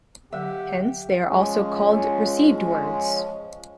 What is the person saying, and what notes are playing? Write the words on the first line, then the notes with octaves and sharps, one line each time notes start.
Hence they are also called received words.
D3 F#3 G4 E5 F#5
F3 G#3 C#4